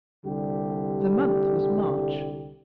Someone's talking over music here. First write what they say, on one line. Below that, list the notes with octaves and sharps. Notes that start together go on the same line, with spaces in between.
The month was March.
C2 D3 G3 G4